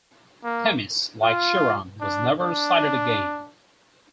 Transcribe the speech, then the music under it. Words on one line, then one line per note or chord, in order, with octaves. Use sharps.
Themis, like Chiron, was never sighted again.
A#3
F4
D4
D4